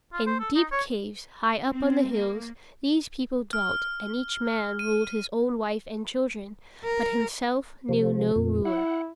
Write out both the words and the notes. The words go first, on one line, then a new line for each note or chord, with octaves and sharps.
In deep caves, high up on the hills, these people dwelt, and each man ruled his own wife and children, but himself knew no ruler.
F4
C5
A4
D#4
C#5
C4
A#3
F6
D#7
A#4
C3 F3
F2 A#2
E4 F#5